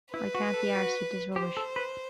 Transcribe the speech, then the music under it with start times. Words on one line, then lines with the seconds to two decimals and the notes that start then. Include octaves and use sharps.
I can't be arsed with this rubbish.
0.13 E4 B4
0.35 F#4
0.54 A4
0.75 F#4
1.35 G4 C5
1.57 A4
1.76 B4